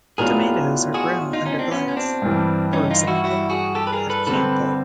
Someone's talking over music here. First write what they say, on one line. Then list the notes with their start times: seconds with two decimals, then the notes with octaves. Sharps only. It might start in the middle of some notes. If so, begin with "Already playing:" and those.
Tomatoes are grown under glass, for example at Campile.
0.18 A2 F#3 B3 D4 F4 G#4 A#4
0.94 F#4 G#4
1.33 D#4 F4
1.46 C#4 D#4
1.59 C4 D4
1.71 B3 C#4
1.88 C#4
1.97 C4 D4
2.22 G2 E3 G3
2.73 C#4 D#4
2.91 D#4 F4
3.01 F4
3.07 E4 F#4
3.24 E4 F#4
3.50 F#4 G#4
3.75 G4 A4
3.87 B4
3.92 G#4 A#4
4.10 A4 B4
4.27 D3 G3 C4 A4 B4